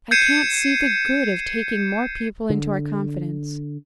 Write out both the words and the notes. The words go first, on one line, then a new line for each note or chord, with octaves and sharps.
"I can't see the good of taking more people into our confidence."
G6 G#6 C7 C#7 D#7 E7
D3